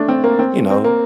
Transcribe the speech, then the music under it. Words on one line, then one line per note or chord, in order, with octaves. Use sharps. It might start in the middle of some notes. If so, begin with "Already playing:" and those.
you know,
Already playing: A3 D4
C4
A#3
C4
C4
A#3